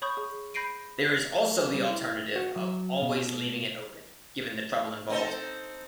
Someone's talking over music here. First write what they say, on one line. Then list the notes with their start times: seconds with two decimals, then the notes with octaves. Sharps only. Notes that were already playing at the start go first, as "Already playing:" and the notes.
There is also the alternative of always leaving it open, given the trouble involved.
0.02 C#5 B5 C#6 D#6 G6
0.17 G#4
0.54 B5 G6 A#6 C7 D7 D#7
1.58 G#4
1.74 G3
1.90 E4
2.36 F#4
2.56 F#3
3.02 B2
5.10 C4 D#4 A4